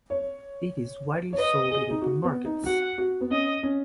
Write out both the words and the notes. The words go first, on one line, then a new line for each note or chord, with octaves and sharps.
It is widely sold in open markets.
C#5
C#5
B4 D#5
G#4
D#4
F#4
B3
D#4
F#4 F#5
F#4
B3
C#4 D#5
C#4